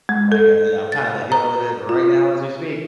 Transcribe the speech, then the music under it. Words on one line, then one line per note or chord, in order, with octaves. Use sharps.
Like, I I'm kinda, like, dealing with it right now as we speak.
G#3
A4
A6
A#5
F4